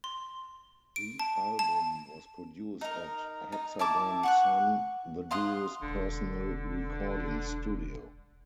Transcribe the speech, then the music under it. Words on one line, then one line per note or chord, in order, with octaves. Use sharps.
The album was produced at Hexagon Sun, the duo's personal recording studio.
C6
D7
A5
A5
D#4 A#4
D#4
E4 A5 D6
F#5 C#6 F#6
F5 C6 D#6 F#6
E1 D3